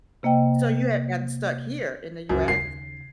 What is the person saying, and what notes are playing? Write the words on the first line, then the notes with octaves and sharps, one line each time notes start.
So you had gotten stuck here in the US?
C3 A#3 D#5 G5
C#2 F#2
D#2 C#3 C7